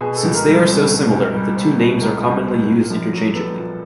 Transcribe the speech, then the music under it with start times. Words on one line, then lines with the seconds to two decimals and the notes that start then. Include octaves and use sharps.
Since they are so similar, the two names are commonly used interchangeably.
0.01 B2 G#4
0.17 A4
0.23 C#2
0.34 A#4
0.45 G3
0.50 A4
0.67 C4
0.90 B2
1.12 C#2
1.34 G3
1.56 C4
1.79 B2
2.01 C#2 A#4
2.23 G3
2.46 C4
2.68 A#2
2.90 A#1
3.13 F#3
3.35 B3 A4
3.57 A#2